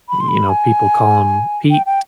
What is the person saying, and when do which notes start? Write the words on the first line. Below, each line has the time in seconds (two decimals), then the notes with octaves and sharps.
you know, people call 'em peaks,
0.09 B5
0.21 C6
0.28 B5
0.49 G#5
1.71 G5
1.86 G5